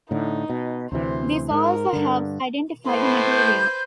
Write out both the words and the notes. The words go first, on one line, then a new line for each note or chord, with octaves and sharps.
This also helps identify the material.
A2 D3 D#4
B2
D2 C3 E3 C5
G#2 A#4
G2 D3
A2 B4 C5
G6